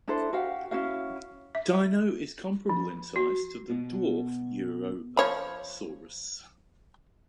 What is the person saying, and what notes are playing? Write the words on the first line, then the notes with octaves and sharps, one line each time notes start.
Dino is comparable in size to the dwarf "Europasaurus".
D4 E4 A4 C5
F#4 G4 F5 F#5
C#4 E4 F#4 F5
E5
F3
F#4
B2
F3 C#5 B5